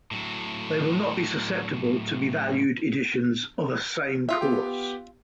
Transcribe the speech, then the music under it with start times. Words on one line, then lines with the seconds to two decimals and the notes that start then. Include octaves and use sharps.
They will not be susceptible to be valued editions of a same course.
0.11 A2 F#3
4.29 F4 E5
4.41 B3 G4 G5